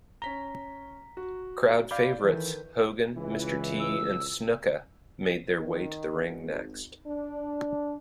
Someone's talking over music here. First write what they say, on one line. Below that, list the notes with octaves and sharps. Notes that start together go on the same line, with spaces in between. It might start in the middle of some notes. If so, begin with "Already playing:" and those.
Crowd favorites Hogan, Mr. T, and Snuka made their way to the ring next.
C#4 A#5 B6 G7
F#4
D5 F5 B5 D6 G6
D#3 E3 A4 B4
C#2 E3
E6
D#3
G#1
D4